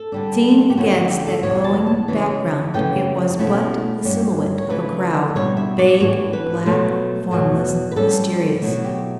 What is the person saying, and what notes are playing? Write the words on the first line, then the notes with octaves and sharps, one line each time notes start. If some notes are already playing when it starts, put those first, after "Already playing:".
Seen against that glowing background, it was but the silhouette of a crowd, vague, black, formless, mysterious.
Already playing: A4
D3 G3 D4
G4
D3 A3 C#4 E4 F#4
F#4
G4
A4
E2 B2 F#3 C#5
A5
A5
F#2 C#3 E3
F#2 C#3 E3 A3 C#4 G5
B2 A3 C#4 E4
G2 F#3 C#4
C#5
C#3 E3 A3 B4
B2 G3 D4 C#5
E5
D5
A2 E3 B3 D4 C#5
B4
B2 F#3 A3
E2 B2 F#3 A3
B4
A2 G3 C#4 A4
B2 F#3 A3 E4 F#4
G4